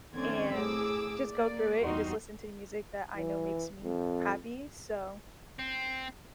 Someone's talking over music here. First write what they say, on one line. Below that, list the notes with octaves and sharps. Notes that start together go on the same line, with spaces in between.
and just go through it, and just listen to the music that I know makes me happy. So,
D#3 A3 C4 C#4 D5 G#6
A2 G#4 D6 E6
A#3 D5
E2 G3 D#4 F#4 C6
E3
F2
C4